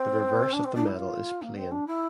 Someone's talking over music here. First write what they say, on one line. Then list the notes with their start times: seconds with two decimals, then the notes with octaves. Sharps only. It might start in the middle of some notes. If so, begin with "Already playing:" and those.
The reverse of the medal is plain.
Already playing: C4
0.53 D4
0.64 C4
0.75 D4
0.86 E4
0.97 F4
1.42 A#3
1.56 C4
1.71 D4
1.87 E4